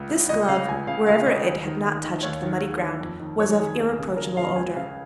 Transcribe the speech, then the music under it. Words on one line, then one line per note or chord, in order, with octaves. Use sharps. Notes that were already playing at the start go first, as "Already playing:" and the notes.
This glove, wherever it had not touched the muddy ground, was of irreproachable odor.
Already playing: C#2
C#3
C#2 D#5
C#3 F5
C#2 G#5
C#3 F5
C#2 F5
C#3 D#5
D#2
D#3
D#2
D#3
D#2 C#5
D#3
D#2
D#3
F2
D#3
F2 C#5
D#3 G#4
D#2 G#4
C#3
D#2 A#4
C#3 F5
C#2 G#5
C#3 F5